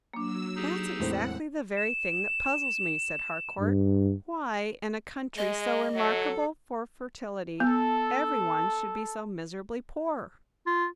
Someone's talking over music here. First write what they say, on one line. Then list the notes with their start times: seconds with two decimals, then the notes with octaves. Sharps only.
"That's exactly the very thing that puzzles me," said Harcourt, "why, in a country so remarkable for fertility, every one should be so miserably poor!"
0.14 F#3 A#3 D4 E6
0.56 D#4 G4 G#4
0.99 E1 A2 C4 F#5
1.77 E7
3.60 G2
5.37 G#3 D#5
5.96 F#3 A4
7.60 B3 A4
10.66 F4